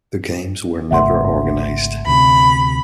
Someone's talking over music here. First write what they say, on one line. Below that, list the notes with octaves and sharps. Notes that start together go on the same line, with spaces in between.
The games were never organized.
G#1 C#3 A3 E5 F#5 C6
D2 C3 B5